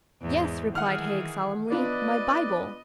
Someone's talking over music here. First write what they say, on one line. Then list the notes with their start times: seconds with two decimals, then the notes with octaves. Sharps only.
"Yes," replied Haig solemnly, "my Bible!"
0.22 E2 G#2
0.75 D#3 E3 G#4 F#5 F6
1.72 B3 D4 F4 B4 D5 D#5